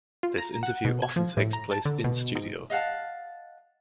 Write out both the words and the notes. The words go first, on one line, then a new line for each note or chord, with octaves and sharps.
This interview often takes place in studio.
F4
A#5
F#5
B2
G#6
F3
A2
A#5
A5
D3
B2
G#2
D#5 F5 F#5 A5